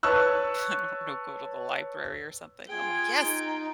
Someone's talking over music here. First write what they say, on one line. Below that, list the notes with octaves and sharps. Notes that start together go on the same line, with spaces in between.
I don't know, go to the library or something, I'm like, "Yes,
B4 C#5 A5 C#6 E6 F#6
F4 G#4 G5
D#4